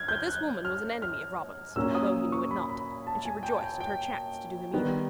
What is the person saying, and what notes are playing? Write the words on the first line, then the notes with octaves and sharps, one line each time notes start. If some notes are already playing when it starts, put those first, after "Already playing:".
But this woman was an enemy of Robin's, although he knew it not; and she rejoiced at her chance to do him evil.
Already playing: F6 G#6
G6
F#6
F6
F6
A#2 F#3 A#3 C#4 E6
D#6
C#6
B5
B5
A5
G#5
G5
G5
G5
D#3 G3 B3